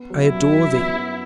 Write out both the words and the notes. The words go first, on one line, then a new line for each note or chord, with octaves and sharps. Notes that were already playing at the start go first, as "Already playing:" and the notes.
I adore thee!
Already playing: B3
F#3
E4
F#2
F#2
B3
F#3